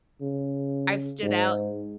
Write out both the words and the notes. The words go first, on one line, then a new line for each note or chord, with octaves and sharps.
I've stood out.
C#3
G#2